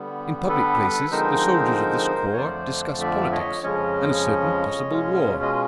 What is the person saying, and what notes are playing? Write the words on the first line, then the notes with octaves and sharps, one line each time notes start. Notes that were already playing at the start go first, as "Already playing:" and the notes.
In public places the soldiers of this corps discuss politics and a certain possible war.
Already playing: D3 G3 B3
A4 B4
D3 F3 G#3 C4 D#4 A#4 C5
C#5
F2 D3 F3 A3 C5 D5
D5 E5
C#5 D#5
F2 C#3 F3 G#3 C#4 C#5 D#5
B2 G#3 C#4 F4
D#5